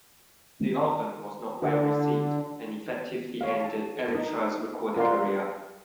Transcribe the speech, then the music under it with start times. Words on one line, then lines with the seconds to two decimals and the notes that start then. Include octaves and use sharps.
The album was not well received and effectively ended Electra's recording career.
1.62 D3
3.41 C#5 F5
3.64 A5
4.15 D#4
4.96 F4 A#4 D5 F5 F#5 C6